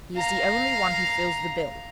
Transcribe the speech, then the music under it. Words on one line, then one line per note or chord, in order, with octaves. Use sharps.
He is the only one who fills the bill.
F5 A#5